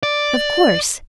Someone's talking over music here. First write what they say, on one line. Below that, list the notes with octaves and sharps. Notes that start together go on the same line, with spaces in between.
"Of course!"
D5